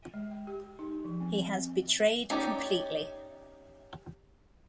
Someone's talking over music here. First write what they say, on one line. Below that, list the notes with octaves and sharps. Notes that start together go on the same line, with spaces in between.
He has betrayed completely.
G#3
G5
G4
D#4
F3
C4
C4
C4
C#4 D#4 G4 D5